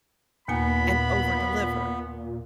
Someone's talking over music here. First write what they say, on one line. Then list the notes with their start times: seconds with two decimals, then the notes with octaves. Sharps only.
and overdeliver.
0.48 D#2 A#2 A#3 B3 G#5 B5